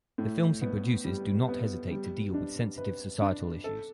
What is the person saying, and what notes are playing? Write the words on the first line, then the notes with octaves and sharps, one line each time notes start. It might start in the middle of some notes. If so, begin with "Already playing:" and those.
The films he produces do not hesitate to deal with sensitive societal issues.
A2
B3
G3
B3
G3
D4
B4
D4
A4